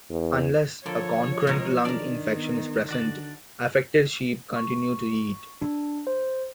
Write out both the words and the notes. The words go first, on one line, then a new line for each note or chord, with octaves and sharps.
Unless a concurrent lung infection is present, affected sheep continue to eat.
E2
D3 F3 A#3 A4 C#5
D#2 B2 F#3 G#3 A#4
D#3 D4 A#4 D5
B3
D3 D4 F#4 D5
C#6
D4
C5